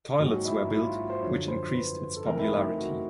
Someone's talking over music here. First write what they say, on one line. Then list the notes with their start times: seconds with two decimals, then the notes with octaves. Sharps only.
Toilets were built which increased its popularity.
0.19 G#2 D#3 F#3 A#3 C#4 F#4
0.45 E4
0.63 D#4
0.70 E4
0.83 F4
0.97 F#4
1.10 C5
1.22 F#2 D3 F3 C#5
1.48 C5
1.74 B4
2.16 A4
2.26 C#3 E3 A3 C4 A#4
2.39 E4
2.52 D#4
2.78 F#4